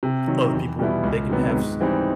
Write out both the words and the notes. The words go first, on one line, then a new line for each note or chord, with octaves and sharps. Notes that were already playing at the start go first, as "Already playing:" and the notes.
other people they can have s
C3
D#3 F#3
E2
B2 G3 B3 E4
C#2
C3 D#3 F#3 B3
G#2
E3 G3 C4 D#4